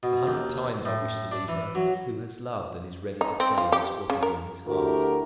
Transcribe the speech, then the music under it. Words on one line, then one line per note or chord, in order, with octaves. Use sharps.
A hundred times I wished to leave her, but who has loved, and is ready to say just what is in his heart?
B2
D#2
A2
D4
E3
F#3
D#4
C4
F4
G4
C#3
A#4
D2 E4 F#4 G4 A#4